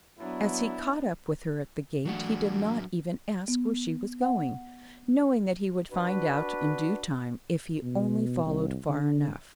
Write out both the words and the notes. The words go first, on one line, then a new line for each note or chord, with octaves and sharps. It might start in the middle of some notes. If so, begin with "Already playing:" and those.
As he caught up with her at the gate, he did not even ask where she was going, knowing that he would find out in due time if he only followed far enough.
F#3 B3 D4 E4
E3 F#3 A3 D4 F#5
B3
F#5
D4 F#4 B4
B2
C2
D3